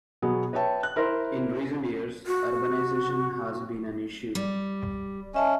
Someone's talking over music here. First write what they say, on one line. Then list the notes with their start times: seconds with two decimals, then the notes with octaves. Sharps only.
In recent years, urbanization has been an issue.
0.22 B2 F#3 B3 G#4
0.53 B4 C#5 E5 G5 A5
0.83 F#6
0.96 E4 A#4 C5 C6
2.27 F#4
4.35 G3
5.34 C#4 D#5 E5 A5